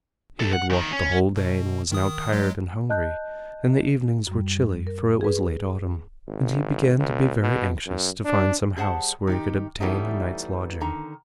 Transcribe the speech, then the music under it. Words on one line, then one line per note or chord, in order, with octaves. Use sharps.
He had walked the whole day and was now tired and hungry, and the evenings were chilly, for it was late autumn, and he began to be very anxious to find some house where he could obtain a night's lodging.
C2 A4
F#5
E2 D#3
C#4
B2
D#3 D#6
F#3 G#3
D#5 A5 F#6 G6
F#2 G3
A#4
G#4 B4
G#1
C#2
B2
F#2
D4
G3 G#4 C5 F#5 A5
D#3 D#4 G4
E3 G3 A3 B3 C#4 D#4
D3 D#3 A#5